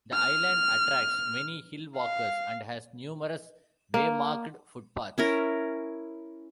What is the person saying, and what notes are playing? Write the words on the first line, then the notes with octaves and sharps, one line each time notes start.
The island attracts many hill walkers and has numerous way-marked footpaths.
F6
F5
A#3
C#4 E4 A#4